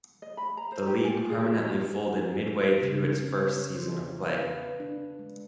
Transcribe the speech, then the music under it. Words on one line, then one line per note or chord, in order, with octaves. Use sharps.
The league permanently folded midway through its first season of play.
D#5
B5
A#5
C5
G4
G#5
F4
G#4
F#4
C#3
C#4
C#5
C5
F4
F5
B4
D4
G#3